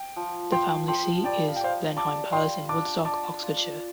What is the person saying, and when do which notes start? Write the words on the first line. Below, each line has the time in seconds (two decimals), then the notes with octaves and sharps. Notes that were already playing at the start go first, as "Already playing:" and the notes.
The family seat is Blenheim Palace in Woodstock, Oxfordshire.
Already playing: G5
0.16 F3
0.52 F3 G5 C6
0.88 F3 G5 C6
1.24 G3 D5 G5
1.48 F5
1.56 G5
1.61 C5 D5 F5
1.97 G3 A5 D6
2.33 F4 G5 C6
2.69 D4 A5 D6
3.05 D5 A5 D6
3.42 F4